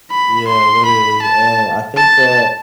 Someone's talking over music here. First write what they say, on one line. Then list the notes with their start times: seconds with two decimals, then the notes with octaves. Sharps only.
Yeah, literally, and I think that,
0.11 B5
0.48 C6
0.86 B5
1.22 A5
1.96 A5